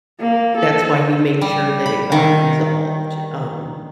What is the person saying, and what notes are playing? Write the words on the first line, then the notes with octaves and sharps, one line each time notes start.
that's why we made sure that it got resolved. Um,
A#3
A4
G3
B5
D#3